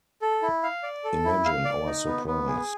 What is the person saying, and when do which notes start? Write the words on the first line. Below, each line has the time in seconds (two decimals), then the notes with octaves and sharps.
Imagine our surprise.
0.22 A4
0.42 E4
0.63 F5
0.83 D5
1.04 A4
1.24 E4
1.45 F5
1.65 D5
1.86 D#4
2.06 B3
2.27 B3
2.47 G#4